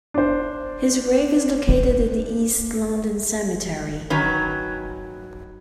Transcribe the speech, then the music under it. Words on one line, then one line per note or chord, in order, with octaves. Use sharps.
His grave is located in the East London Cemetery.
D4 C5
D#3 F#3 C#4 B4